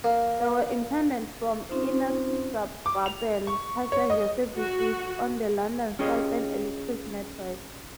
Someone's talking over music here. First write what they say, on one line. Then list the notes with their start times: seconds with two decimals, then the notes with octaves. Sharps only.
They were intended for inner suburban passenger services on London's Southern Electric network.
0.04 A#3
1.69 C4 C#4 D#4 F4 C5
2.86 D6
3.06 F7
3.47 C#6
3.92 C#5
4.10 D#5
4.57 F#4
5.99 C#4 F4 G4 G#4 D#5